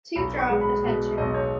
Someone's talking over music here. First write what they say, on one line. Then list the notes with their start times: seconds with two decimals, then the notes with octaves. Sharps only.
To draw attention.
0.16 B1 B5
0.39 C#6
0.49 G#3
0.61 B5
0.84 B2
1.18 B1 D#5
1.34 C#5